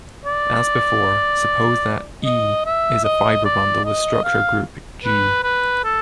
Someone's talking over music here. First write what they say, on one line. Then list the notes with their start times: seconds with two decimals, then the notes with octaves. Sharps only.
As before, suppose that "E" is a fibre bundle with structure group "G".
0.25 D5
2.25 D#5
2.66 E5
3.04 D#5
3.45 D5
3.85 D#5
4.24 F5
5.05 B4
5.44 B4
5.84 A4